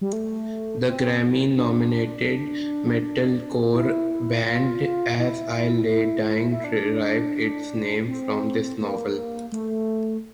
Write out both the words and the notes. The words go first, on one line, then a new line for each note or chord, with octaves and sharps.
The Grammy-nominated metalcore band As I Lay Dying derived its name from this novel.
G3
A3
C4
D4
E4
F4
E4
E4
D4
C4
A#3
A3